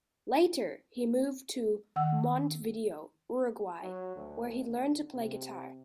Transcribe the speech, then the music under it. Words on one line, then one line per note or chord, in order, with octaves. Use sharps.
Later he moved to Montevideo, Uruguay, where he learned to play guitar.
D#3 F#5 E6
F#3
D2
D3
C3